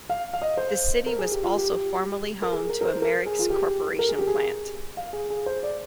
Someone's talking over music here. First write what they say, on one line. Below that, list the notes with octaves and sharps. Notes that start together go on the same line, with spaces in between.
The city was also formerly home to a Merix Corporation plant.
F5
F5
D#5
C5
A#4
G#4
G4
F4
G4
A#4
G#4
A#4
A#4
C5
A#4
G#4
F4
G4
A#4
G#4
G4
G#4
F5
G#4
G#4
C5
D5